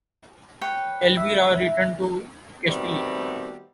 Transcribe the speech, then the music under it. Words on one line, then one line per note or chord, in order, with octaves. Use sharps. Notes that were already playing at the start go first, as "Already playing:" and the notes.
Elvira returned to Castile.
B4 C#5 G5
E5
B2 D#3 G3 A3 B3 C4